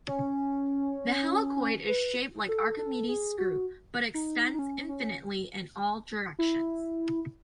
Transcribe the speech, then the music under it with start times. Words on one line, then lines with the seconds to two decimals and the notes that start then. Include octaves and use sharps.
The helicoid is shaped like Archimedes screw, but extends infinitely in all directions.
0.08 C#4
1.89 B4
2.48 A4
2.79 A4
3.09 G#4
3.38 F#4
4.14 D#4
4.54 D#4
4.59 C#4
4.89 C#4
6.39 E4